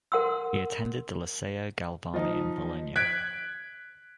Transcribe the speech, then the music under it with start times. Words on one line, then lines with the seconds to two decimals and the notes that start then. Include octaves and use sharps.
He attended the Liceo Galvani in Bologna.
0.12 A#4 F#5 C6 E6
2.14 F3 D#4
2.96 F#6 G#6 B6 D7